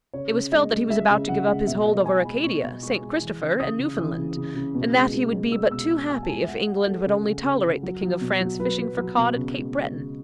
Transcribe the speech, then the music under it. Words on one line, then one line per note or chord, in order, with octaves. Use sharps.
It was felt that he was about to give up his hold over Acadia, St. Christopher, and Newfoundland, and that he would be but too happy if England would only tolerate the King of France fishing for cod at Cape Breton.
C#3 C#5
C#3
G#3 D#5
G#3
G#3 E5
C#3
C#3 F#5
G#3
B2 E5
G#3 D#5
G#3 G#5
G#3 B5
B2 C#6
B2
G#3 C#6
G#3
E3
C#3
C#3 D#6
C#3
E3
C#3
C#3
C#3
B2
G#3
G#3
G#3
G#3 E6
B2 E6
G#3 E6
G#3 G#5
A5
G#3 G#5
E5
G#3 F#5
G#3 F#5
G#3 A4
C#3
C#3
C#3
C#3
F#3
F#3
B2
F#3
F#3 B4
F#3
F#3
B2
C#3
G#3
G#3
C#3